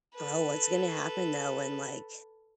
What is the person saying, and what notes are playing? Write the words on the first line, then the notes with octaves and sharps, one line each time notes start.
Bro, what's gonna happen though when, like
A4 B4